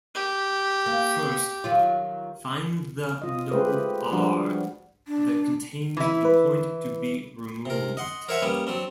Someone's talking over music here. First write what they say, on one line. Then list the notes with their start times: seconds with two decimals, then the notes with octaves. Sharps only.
First, find the node R that contains the point to be removed.
0.15 G4
0.86 A#3
1.64 D#3 F#3 F4
3.22 F4 D#5
3.51 G#3 A3 G4 B4 C5
4.12 F3 G3 D4 F#4
5.07 D4
5.97 E3 E4
6.25 B4
7.66 C3 A#4
7.97 D#5 F#5 C6
8.29 A#4 C5 C#5 E5 F#5 G#5
8.42 G3 A#3 B3 C#4
8.67 F#3 C4 D4